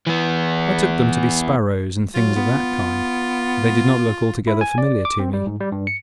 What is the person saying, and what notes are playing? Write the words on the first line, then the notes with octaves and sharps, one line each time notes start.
I took them to be sparrows and things of that kind, but they did not look altogether familiar to me.
E3 B3
F#3 F4
B3
E4
G#5
D5
D6
C4
G3
G#2
G3
G2
C#7